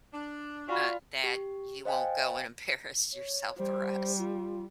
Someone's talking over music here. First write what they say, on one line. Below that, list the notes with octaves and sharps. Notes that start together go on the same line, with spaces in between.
uh, that you won't go and embarrass yourself for us
D4
F4 F#4 D5 B5
G4
C5 D#5 F5 G5 G#5
C#5
G3 C5
F4